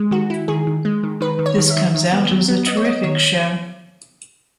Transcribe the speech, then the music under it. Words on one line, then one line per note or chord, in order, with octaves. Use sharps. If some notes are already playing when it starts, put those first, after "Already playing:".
This comes out as a terrific show.
Already playing: G#3
D#3 F#4
E4
D#3 G#4
D#3
G#3
D#3
D#3 B4
D#3
C#5
D#3
E5
D#3
D#3
B3
F#3
B3
B3 D#5
C#5
B3 D#5
D#3 C#5